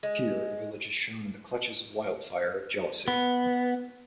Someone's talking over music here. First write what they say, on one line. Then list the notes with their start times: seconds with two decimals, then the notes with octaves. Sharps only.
Here a village is shown in the clutches of wildfire of jealousy.
0.03 G#3
3.08 B3